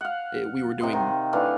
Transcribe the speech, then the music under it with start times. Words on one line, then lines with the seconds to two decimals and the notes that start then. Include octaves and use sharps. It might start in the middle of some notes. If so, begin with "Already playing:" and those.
i we were doing
0.01 F5 F#5
0.81 C3 D#5 C6
0.93 D#3
1.33 E3 A3 D4 F5